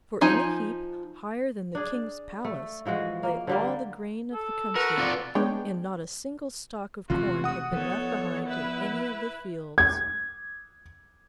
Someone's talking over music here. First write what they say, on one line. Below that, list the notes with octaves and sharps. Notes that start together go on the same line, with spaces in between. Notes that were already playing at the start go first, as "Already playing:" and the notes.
For in a heap higher than the King's palace lay all the grain of the country, and not a single stalk of corn had been left behind in any of the fields.
F3 D#4 G#5
D4 G#4
A3
E3 F3 G#3 F#4
A#3
D3 G3 A#3
A4
F#4 A#4 B4
C4 F4 D5
G#3 B3 D4 C#5 G5
E1 C3 A3 F4 F#4
F#5 D#6
F3 B3 A4 C#5
E4 B4
G#6